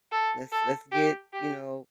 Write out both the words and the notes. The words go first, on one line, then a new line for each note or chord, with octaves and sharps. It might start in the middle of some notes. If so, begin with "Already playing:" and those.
let's let's get, you know,
A4
A4
G4
G4